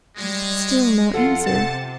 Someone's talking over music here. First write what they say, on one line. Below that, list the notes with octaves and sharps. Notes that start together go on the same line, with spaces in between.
Still no answer.
G3 G#3
F2 F4 A4 F#5
C3 C4 A5